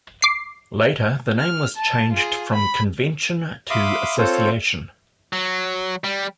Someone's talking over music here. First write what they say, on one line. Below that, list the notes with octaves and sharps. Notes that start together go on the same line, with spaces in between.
Later the name was changed from "Convention" to "Association".
D6 C7
F6
A5
F4 G#4
B5
E5 F5 B5 C6 D6 D#6
C4 F4 A4 C5 C#5
F#3
G3